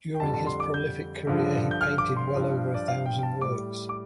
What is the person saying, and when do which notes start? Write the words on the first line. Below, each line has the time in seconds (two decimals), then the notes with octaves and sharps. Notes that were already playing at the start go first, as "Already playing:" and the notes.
During his prolific career he painted well over a thousand works.
0.15 G5
0.20 F2 D3 G3 A5
0.34 A5
0.46 C6
0.60 D6
0.74 G6
1.27 G2 D3 F3
1.71 G6
1.81 F6
1.98 D6
2.16 C6
2.35 G2 F3
2.74 D5
2.88 F5
3.06 G5
3.19 G5
3.23 A5
3.41 A2 G3 D6
3.89 D6